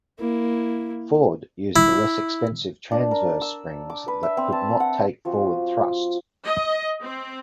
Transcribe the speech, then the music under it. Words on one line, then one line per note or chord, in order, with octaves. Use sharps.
Ford used the less expensive transverse springs that could not take forward thrust.
A#3 E4
E4
D4
A#4
E6
D6
B4
E5
C4
A5
F#5
F3 C4 F#4
D#5
C4